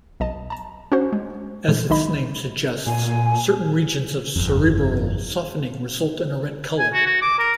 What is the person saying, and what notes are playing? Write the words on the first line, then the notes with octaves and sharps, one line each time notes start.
As its name suggests, certain regions of cerebral softening result in a red color.
B1 D#5 A5
A5 A#5
C#4 D4 F#4 C5
G#3
A#2 D3 E3 F3 G#3
B1 D#3 D#4 D#5 B5
A#2 G#5
G1 F2
G#5
F#4
F#4
D6
A#4